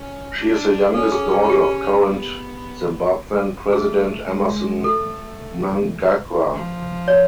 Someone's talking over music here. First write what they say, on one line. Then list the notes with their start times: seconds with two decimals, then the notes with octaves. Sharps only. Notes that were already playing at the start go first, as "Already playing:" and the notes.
She is the youngest daughter of current Zimbabwean president Emmerson Mnangagwa.
Already playing: C#4
0.38 D4
0.94 C#4 A4
1.12 G#4
1.32 G#4
1.49 G4
2.06 B3
3.73 A3 G#4
4.29 G#3
4.84 A3 A4
6.53 F3
7.08 C#5